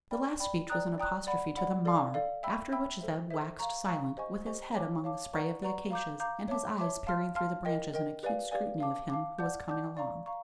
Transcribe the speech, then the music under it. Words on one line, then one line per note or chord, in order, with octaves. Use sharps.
The last speech was an apostrophe to the "maar"--after which Zeb waxed silent, with his head among the spray of the acacias, and his eyes peering through the branches in acute scrutiny of him who was coming along.
D5 G5 B5
D5 G5 B5
D5 G5 A#5 D#6 F#6
D5 G5 A#5 D#6 F#6
D5 F#5 B5
D5 F#5 B5
A4 D5 F5
A4 D5 F5
E5 G5 B5 E6
E5 G5 B5 E6
A4 C5 E5
A4 C5 E5
F5 A#5 C#6
F5 A#5 C#6
G4 C5 D#5 G#5 C#6
G4 C5 D#5 G#5 C#6
C#5 F5 A5 D6
C#5 F5 A5 D6
B4 D5 F#5 A#5 C#6
B4 D5 F#5 A#5 C#6
F5 A#5 D6 G6
F5 A#5 D6 G6
C#5 E5 A5 D6
C#5 E5 A5 D6
F5 A5 C6 F6
F5 A5 C6 F6
A#4 D#5 G5
A#4 D#5 G5
G4 B4 D5 F5 G#5
G4 B4 D5 F5 G#5
F5 A5 D6
F5 A5 D6
D5 F#5 A5 D6 G6
D5 F#5 A5 D6 G6
D5 F5 A#5 C#6
F5 A#5 C#6